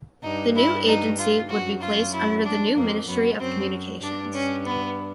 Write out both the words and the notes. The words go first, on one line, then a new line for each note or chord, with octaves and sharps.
The new agency would be placed under the new Ministry of Communications.
G2 D#4
E4
D#4
F4
F#2 F#4
F4
E4
D4
F2 A#3
F#2 B3
F#2 C4
G2 D4
C#4
B3